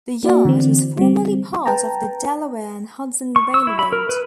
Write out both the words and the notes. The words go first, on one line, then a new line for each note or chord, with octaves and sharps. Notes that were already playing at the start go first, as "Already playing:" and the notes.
The yard was formerly part of the Delaware and Hudson Railroad.
A#3 F#4 D5
D3 E3 C4
G3 C4
B4 G5 A5 A#5
C#6
E6
E4
B5
A#4
B4